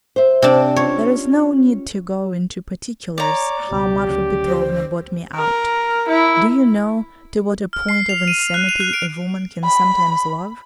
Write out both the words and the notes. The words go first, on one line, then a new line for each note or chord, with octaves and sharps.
There's no need to go into particulars how Marfa Petrovna bought me out; do you know to what a point of insanity a woman can sometimes love?
C5 E5
C3 D4
C#4 F4 C#5
C#5 D5 A#5
C#2 B2 G4
D2 C#3 F#3
C5
A#4
E4
F6
C7
F7
D#7
F7
F#6
F7
F#6
D7
B5